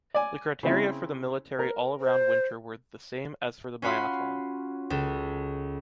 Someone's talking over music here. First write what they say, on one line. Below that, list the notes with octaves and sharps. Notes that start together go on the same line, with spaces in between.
The criteria for the military all-around winter were the same as for the biathlon.
D5 G#5
C#3 C4 E4
A#4
C5
C#4 F4 F#4 B5 C6
C#2 A4